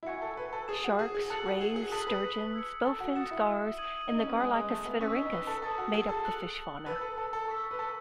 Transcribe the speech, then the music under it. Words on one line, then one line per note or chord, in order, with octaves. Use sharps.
Sharks, rays, sturgeons, bowfins, gars and the gar-like "Aspidorhynchus" made up the fish fauna.
E4
F#4 G#5 C#6 G#6 C#7
A4
B4
A4
G#4 D#6 A6 E7
F#4
G#4
G#4
A4 F#6 A6 C#7 F#7
F#4
G#4
G#4
A4 D#6 F#6 B6 F#7
B4
E6 G#6 C#7
A4
F#4
F#4 D#6 A6 C#7 E7
E4
D#6 G#6 D#7 F#7
D#4
C#4
B3
G#3 G#5 D#6 F#6
G#3
A3
B3
C#4 C#6 E6 B6
D#4
B4
A4
A4 A5 D#6 A6 C#7
F#4
G#4
A4
F#6 C#7 F#7
B4 A5 E6 A6
A4
A4
A4
C#6 E6 B6
B4
A4